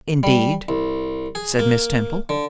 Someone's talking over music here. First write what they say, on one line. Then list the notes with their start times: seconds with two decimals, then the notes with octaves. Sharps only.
'Indeed!' said Miss Temple.
0.23 G3
0.69 C2
1.35 G#4
1.59 A#3
2.29 D3